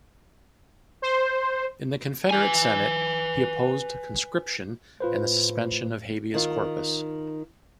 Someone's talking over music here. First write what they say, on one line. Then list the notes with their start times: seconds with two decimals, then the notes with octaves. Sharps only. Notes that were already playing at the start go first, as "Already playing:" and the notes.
In the Confederate Senate, he opposed conscription and the suspension of habeas corpus.
1.02 C5
2.31 B4 G#5
5.00 A2 F4 B4 C5
6.34 D#3 F4